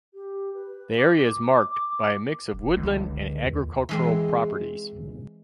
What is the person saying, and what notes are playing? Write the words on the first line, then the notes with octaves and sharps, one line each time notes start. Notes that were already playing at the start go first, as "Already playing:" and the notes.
The area is marked by a mix of woodland and agricultural properties.
G4
B4
D6
E1
C#2 D3
D#2
E3 G#3 C4